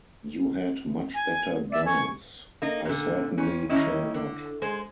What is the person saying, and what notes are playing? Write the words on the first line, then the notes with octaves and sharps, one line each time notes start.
You had much better dance. I certainly shall not.
G#5
D5 E5
G#5 C#6
A#3 D#4
A#2 D3
F2 C#4
D#3 G3 C#4 E4 D#5
D3
G#3 G#4 C5